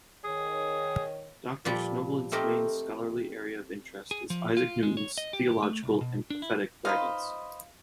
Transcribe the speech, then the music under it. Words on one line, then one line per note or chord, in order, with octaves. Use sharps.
Doctor Snobelen's main scholarly area of interest is Isaac Newton's theological and prophetic writings.
D#3 G#4 C#5
A#2 F3 G3
A3 C4 G4 A#4 D#5
G#4
F3
F4
G#3
C#5
D#5
G4
A3
C2
B2
D4
E4
D#4 F4 B4 C5 D#5 F5